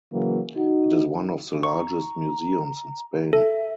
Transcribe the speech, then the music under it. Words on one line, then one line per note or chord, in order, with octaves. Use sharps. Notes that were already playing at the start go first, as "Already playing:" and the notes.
It is one of the largest museums in Spain.
C#3 E3 F#3 A#3
D#4 F#4
A#5 C#6
A4 E5